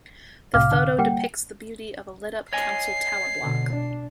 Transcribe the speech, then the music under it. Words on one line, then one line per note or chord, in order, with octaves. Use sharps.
The photo depicts the beauty of a lit up council tower block.
C2 A2 C3 F5 D6 F6
D3
G3 A#3 F#5 G5
C#5 D#5 G#5 C7
B2 D3
D4